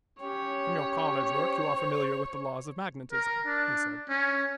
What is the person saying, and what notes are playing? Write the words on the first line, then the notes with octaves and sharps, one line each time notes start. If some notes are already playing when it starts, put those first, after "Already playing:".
"From your college work you are familiar with the laws of magnetism," he said.
C#4 G4 C#5
C5
A#4
D4
C#4